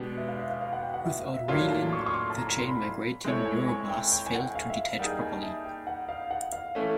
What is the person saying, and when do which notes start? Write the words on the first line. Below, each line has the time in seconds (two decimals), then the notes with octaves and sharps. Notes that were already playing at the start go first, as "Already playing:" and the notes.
Without reelin, the chain-migrating neuroblasts failed to detach properly.
Already playing: B2 G#3 B3 D4 G4
0.17 E5
0.28 F5
0.40 E5
0.50 F5
0.61 F5
0.73 F#5
0.83 G5
0.94 F#5
1.05 E5
1.19 F5
1.34 E5
1.48 A2 F#3 A#3 D4 F4 F5
1.71 A5
1.93 C#6
1.99 C6
2.06 C#6
2.14 C6
2.30 A5
2.36 A#5
2.47 A#5
2.58 C6
2.69 B5
3.24 G#3 C4 E4 A4 C#5
3.46 G#5
3.68 G#5
3.89 G5
4.12 G5
4.26 G#5
4.35 F#5
4.41 G5
4.55 F5
4.70 E5
4.84 F5
4.99 G3 A#3 D#4 G#4 F#5
5.10 G5
5.21 G#5
5.32 A5
5.43 E5
5.65 G5
5.87 F#5
6.09 F5
6.31 F#5
6.52 F5
6.75 E3 A3 C#4